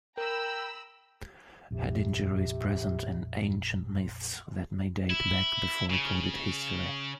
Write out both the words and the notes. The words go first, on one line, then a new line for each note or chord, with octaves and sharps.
Head injury is present in ancient myths that may date back before recorded history.
A#4 G5 A#5 B5 E6
A#1 F2 C3
E4
C#3